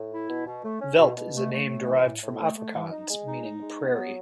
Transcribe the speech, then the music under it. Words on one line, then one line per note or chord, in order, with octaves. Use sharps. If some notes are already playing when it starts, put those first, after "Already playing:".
Veldt is a name derived from Afrikaans, meaning "prairie".
Already playing: A2
E4
B2
B2
A3
C#4
B2
B2
A3
A3
A2
E3
A2
A2
A3
A3
E3
D#4
G#3
D#4
D#4
G#3
B3
F#3